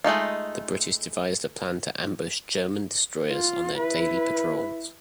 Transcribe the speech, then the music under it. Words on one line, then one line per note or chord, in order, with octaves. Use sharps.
The British devised a plan to ambush German destroyers on their daily patrols.
G#3 A3 D#4 F4
F4
E4 B4